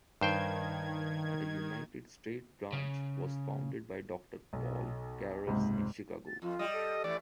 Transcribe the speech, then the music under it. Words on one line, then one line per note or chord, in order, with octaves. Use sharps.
A United States branch was founded by Doctor Paul Carus in Chicago.
G2 D#3 C5 G5 G#6
C#3
B1
F#1 C#2 G#2 C3
A6
F2 F4
G3 D#5
A4
E3 A3 D5